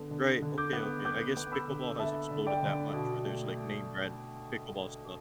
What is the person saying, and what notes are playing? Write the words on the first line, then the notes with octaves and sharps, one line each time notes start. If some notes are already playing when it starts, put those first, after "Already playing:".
Right, okay, okay. I guess pickleball has exploded that much where there's, like, name-brand pickleball stuff?
Already playing: D3 B3
D3
D3
D6 G6
B3
B3 D6 G6
B3
B5 E6
D3
D3 E5 A5
D3
D5 G5
D3
B2
A3
A3